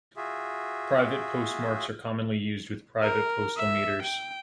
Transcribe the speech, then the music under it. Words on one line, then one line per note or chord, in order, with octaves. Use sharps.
Private postmarks are commonly used with private postal meters.
F4 F#4 G#4 E5
A#4
E5
G5